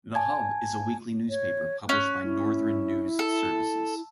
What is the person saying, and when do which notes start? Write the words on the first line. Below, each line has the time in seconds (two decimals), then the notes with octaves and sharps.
"The Hub" is a weekly newspaper published by Northern News Services.
0.15 G#5 A5 G#6
1.30 C#5
1.89 C#4 F#6
2.24 E4
3.19 A4